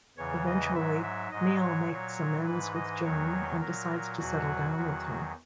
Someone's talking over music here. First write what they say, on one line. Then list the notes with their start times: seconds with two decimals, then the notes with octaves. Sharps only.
Eventually, Neal makes amends with Joan, and decides to settle down with her.
0.17 E2 C#3 E3 C#5
0.46 D#5
0.74 G#2 F#3 E5
1.03 E5
1.31 G#2 F#3 D#5
1.60 C#5
1.89 A#2 F#3
2.46 G#2 E3 B4
2.75 D#5
3.03 E2 D#3 F#3 C#5
3.60 A#2 F#3 A#4
4.18 E2 B2 F#3 F#4
4.76 E2 D#3 F#3